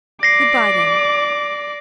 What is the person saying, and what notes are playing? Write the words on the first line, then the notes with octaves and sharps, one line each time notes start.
"Good-bye, then."
D5 D6 A#6 C7